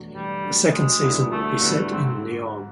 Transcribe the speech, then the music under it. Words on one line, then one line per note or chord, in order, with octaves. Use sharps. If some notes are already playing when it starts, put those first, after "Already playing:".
The second season will be set in Neom.
Already playing: E2 B2 F#3 A3 D4
E2 G3
B2 F#3 A3 D4
D2 G#3
D3 G3 B3 E4
D2 A3
D3 G3 B3 E4
G#2 C4